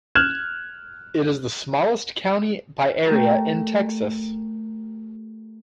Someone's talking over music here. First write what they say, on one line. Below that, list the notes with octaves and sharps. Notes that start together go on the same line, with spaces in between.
It is the smallest county by area in Texas.
F6 F#6 G#6 E7
A3 G4 A4 A#4